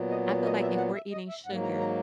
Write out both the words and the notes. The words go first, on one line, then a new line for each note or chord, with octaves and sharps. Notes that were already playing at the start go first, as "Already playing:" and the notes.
I feel like if we're eating sugar
Already playing: A#2 F#3 B3
D#5
C#5
D#5
E5
F#5
E5
D#5
E5
G#2 F#3 A#3 F#5
A#5
A#5